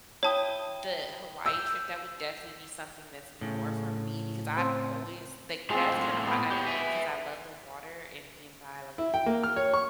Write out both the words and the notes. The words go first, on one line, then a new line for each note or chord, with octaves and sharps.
the Hawaii trip, that would definitely be something that's more for me because I've always like that's kinda why I went because I love the water and being by, like,
E4 C#5 G5 A5 D#6
E6 G6
A2 C#3
C4
A2 G#3 C4 F4
B3
G4 C#5
E5 G#5
E4
G5
A#3
F6
C#5
C#6